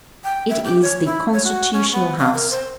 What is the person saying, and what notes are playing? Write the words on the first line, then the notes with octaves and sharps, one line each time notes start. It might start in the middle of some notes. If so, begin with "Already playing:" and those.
It is the constitutional House.
G5
E5
G4
C#5
E4
C#5
F#4
C#4
B3
F5
A#4
C5